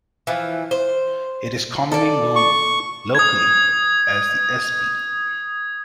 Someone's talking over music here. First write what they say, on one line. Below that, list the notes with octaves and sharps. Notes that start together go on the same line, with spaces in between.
It is commonly known locally as "The Espy".
E3 F3
C5
A4 D5
C#6
D#6 G#6